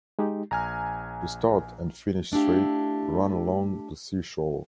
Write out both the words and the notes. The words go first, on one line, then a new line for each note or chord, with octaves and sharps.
The start and finish straight ran along the sea shore.
G#3 D#4 G4
A#1 G#5 A#5 F6
A3 D4 E4 G4 F5